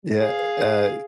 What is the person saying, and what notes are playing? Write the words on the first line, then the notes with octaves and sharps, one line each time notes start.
Yeah, uh uh
G#4 F5